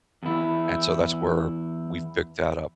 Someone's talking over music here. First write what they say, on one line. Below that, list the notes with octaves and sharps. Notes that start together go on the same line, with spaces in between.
And so that's where we've picked that up.
E2 E4